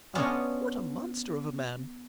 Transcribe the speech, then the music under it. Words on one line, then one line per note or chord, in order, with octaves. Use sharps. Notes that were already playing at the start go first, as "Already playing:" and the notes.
Ah! what a monster of a man!
B3 C#4 D4 F4 B4 D#5